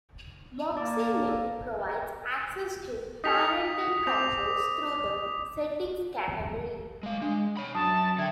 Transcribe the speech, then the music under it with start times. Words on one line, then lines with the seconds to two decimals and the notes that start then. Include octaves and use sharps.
Moxi Menu provides access to parental controls through the settings category.
0.77 A#3 D5 A5 D6
1.29 A4
3.24 D#4 G4 A4 D#6 B6 F7
4.07 C4 D6 F7
7.03 G#3 F5
7.22 G#3 D4
7.57 C#5 B5
7.75 F#2 A5 D#6
8.18 D3 E5 G5 G#6